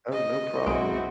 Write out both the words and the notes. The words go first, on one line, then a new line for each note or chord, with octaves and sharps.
Oh, no problem.
D#5
B1 G#3 C4 E4 F#4 D7